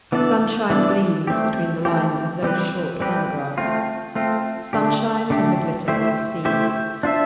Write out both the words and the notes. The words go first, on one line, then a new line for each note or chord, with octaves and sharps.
Sunshine gleams between the lines of those short paragraphs--sunshine and the glitter of the sea.
E3 B3 D4 A4 D5
E3 B3 D4 A4 D5
A3 C4 G4
A3 C4 G4
G3 C4 G4 B4
G3 C4 G4 B4
A3 C4 F4
A3 C4 F4
D3 A3 D4 G4
D3 A3 D4 G4
A3 E4 G4 C5 E5
A3 E4 G4 C5 E5
D4 F4 C5 E5